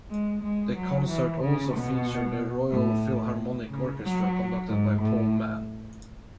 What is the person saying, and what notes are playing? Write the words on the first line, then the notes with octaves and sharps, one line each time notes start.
The concert also featured the Royal Philharmonic Orchestra conducted by Paul Mann.
G#3
G#3
F#3
E3
C#3
B2
A2
A2
C#3
F#3
G#2
A2